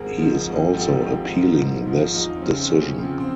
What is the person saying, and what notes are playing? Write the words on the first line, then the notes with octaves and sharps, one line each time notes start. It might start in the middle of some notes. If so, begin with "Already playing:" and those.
He is also appealing this decision.
Already playing: G#1 G#4 A#4
G#2 F3
G#1
G#2 F3 G4 A4
G#1 F4 G4
G#2 F3
G#1
G#2 F3
E2 D#4 F4
C4
C#3 F3 C#4
C4
E2 C#4
C#3 F3 C4
C4